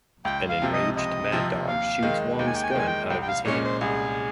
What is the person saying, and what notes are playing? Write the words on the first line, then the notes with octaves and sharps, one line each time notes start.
An enraged Mad Dog shoots Wong's gun out of his hand.
C#2 G5
F5
C3 F3 C4
D#5
C#2 D#5
C3 F3 C4
D#2 F5
D#3 G#3
D#2 G5
G#5
G5
G#5
G5
D#3 G#3 G#5
G5
C2 G5
G5
F5
A#2 G#3 C#4 C#5
C5
C2 G#4